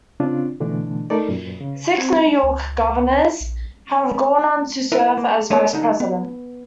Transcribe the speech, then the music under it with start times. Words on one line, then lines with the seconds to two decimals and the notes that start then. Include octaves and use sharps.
Six New York governors have gone on to serve as vice president.
0.20 C#3 C4 D4 F4
0.60 B2 D3 E3 A3 D4
1.10 A3 D#4 A4 A#4 D5
1.29 F#2 A#2
1.61 C#3
1.98 C4 G#6
2.43 C#2
3.40 A#1
4.92 E4 A#4 B4
5.17 A#3
5.50 G#3 A#3 B3 D4 A4 C#5
5.73 D3 D#4
6.00 B3